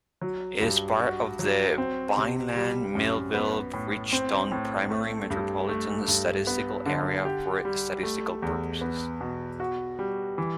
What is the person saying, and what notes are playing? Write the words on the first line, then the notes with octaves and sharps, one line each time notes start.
It is part of the Vineland-Millville-Bridgeton Primary Metropolitan Statistical Area for statistical purposes.
F#3
G2
F#4
F#3
C4
C3
G3
F#2
B3
A2
C4
A2
A3
G2
A3
G2
B3
D3
G4
G3
A3
E2
B3
B2
F#4
G3
E3